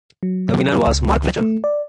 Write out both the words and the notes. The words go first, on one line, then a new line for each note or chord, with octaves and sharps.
The winner was Mark Fletcher.
F#3
C#2
A3
D5